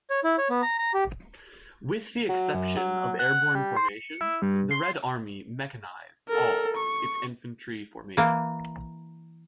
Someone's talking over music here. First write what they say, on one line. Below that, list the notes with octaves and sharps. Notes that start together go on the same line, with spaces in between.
With the exception of airborne formations, the Red Army mechanized all its infantry formations.
C#5
E4
C#5
B3
A#5
A#5
G4
F#3
F#2
F#3
F#5
G3
C5
C#7
E4
G2
C6
A4 A#4
C#6
E3 A#3